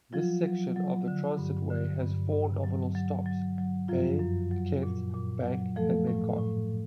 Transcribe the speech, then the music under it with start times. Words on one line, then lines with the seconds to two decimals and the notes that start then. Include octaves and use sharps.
This section of the Transitway has four nominal stops: Bay, Kent, Bank and Metcalfe.
0.13 F3 F#3 F4
0.44 F#3
0.76 F#3
1.08 D3
1.38 G2
1.70 D3
2.01 G2
2.32 G2
2.64 F#3
2.95 F#3
3.26 F#3
3.58 F#3
3.88 F#2 F3 F4
4.20 F#2
4.51 F#3
4.83 A#2
5.14 A#2
5.45 F#3
5.76 F3 A3 A4
6.07 A2
6.39 A2